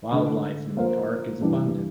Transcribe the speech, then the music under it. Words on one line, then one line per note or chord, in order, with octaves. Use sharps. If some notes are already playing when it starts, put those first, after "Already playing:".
Wildlife in the park is abundant.
D3 A3 D4
F3 A#3 F4 C5 F5
G2 E3 G3 D4